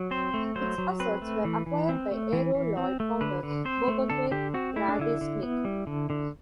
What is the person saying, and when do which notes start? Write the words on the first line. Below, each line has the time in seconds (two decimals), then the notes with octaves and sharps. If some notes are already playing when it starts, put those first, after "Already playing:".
Its assets were acquired by Aero Lloyd founder, Bogomir Gradisnik.
Already playing: F#3
0.11 C4 C5
0.34 A3
0.56 F#3 C5
0.78 F#3
1.00 C4 B4
1.22 A3
1.45 E3
1.66 E3
1.89 C4
2.11 A3
2.33 E3
2.55 E3
2.77 C4
3.00 A3
3.21 D3 B4
3.43 D3
3.65 C4 C5
3.88 A3
4.10 D3 A4
4.31 D3 G4
4.54 C4 F#4
4.76 A3 E4
4.88 D4
4.99 D3 E4
5.21 D3
5.43 B3
5.65 G3
5.87 D3
6.10 D3